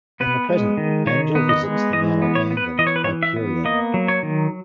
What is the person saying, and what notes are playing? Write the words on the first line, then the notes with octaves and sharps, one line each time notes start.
In the present, Angel visits the now-abandoned Hyperion.
B3 B4
G#3
D#3
D#3 C#5
B3
D#5
G#3
E3 D#5
B3
C#5
B3
B4
E3 D#5
C#5
B4
C#5
E3
E5
B3
A#3 D#5
F#3
C#5
D#3